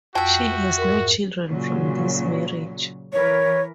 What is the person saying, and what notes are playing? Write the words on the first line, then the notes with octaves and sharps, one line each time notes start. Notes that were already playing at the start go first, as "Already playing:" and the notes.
She has no children from this marriage.
F2 F#4 E5 G5
G#2 A#4
A#2 C#3 F#3
E3 A#4 B4 C#5